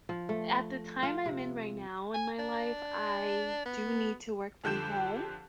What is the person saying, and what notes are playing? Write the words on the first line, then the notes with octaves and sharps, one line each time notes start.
at the time I'm in right now in my life, I do need to work from home,
F3
A3
F4
C3
G#5
D4
B3
F2 D3 G4 G6 E7